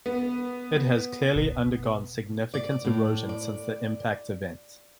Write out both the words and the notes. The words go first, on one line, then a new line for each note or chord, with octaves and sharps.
It has clearly undergone significant erosion since the impact event.
B3
B2
D5
A2
D5